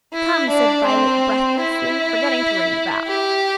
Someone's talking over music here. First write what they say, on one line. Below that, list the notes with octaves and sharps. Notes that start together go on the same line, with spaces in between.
"Come," said Violet breathlessly, forgetting to ring the bell.
E4
D4
C4
E4
G4